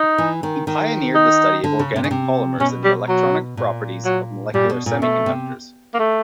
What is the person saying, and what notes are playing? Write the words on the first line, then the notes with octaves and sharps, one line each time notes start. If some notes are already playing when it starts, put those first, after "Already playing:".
He pioneered the study of organic polymers and the electronic properties of molecular semiconductors.
Already playing: D#4
E3
D#3
D#3
D#4
D3
C#3
C3
C#3
C3
B2 C#4
G3
F#3
A#2
F#3
A#2 G3
B2
A#2
B2 A3
C3
A#3
A3